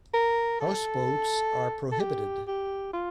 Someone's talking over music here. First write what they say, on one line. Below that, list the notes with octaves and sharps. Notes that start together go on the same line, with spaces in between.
Houseboats are prohibited.
A#4
A4
A4
G4
G4
F4